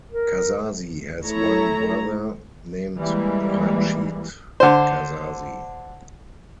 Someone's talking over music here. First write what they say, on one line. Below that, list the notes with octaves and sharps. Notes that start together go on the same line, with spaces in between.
Kazzazi has one brother, named Rachid Kazzazi.
A#4
A3 E4 A4 C#5 A#5
E3 G3 G#3 A#3
D3 C5